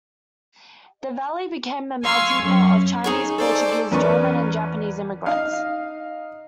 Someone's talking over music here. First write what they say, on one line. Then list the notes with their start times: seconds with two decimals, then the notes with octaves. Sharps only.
The Valley became a melting pot of Chinese, Portuguese, German, and Japanese immigrants.
2.03 F5 G#5 C6 C#6 E6
2.41 F#2 F#3 C#4
3.04 D#4 G#4 C#5
3.38 A4 C5 D5
3.91 E2 C#4 A#4 B4 D5 C#6
5.26 D#4 F5